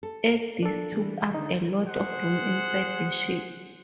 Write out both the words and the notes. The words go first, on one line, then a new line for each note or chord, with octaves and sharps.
At this took up a lot of room inside the ship.
A4
D4 A4
E3 G3
D3 D#4
G#4 C5 F#5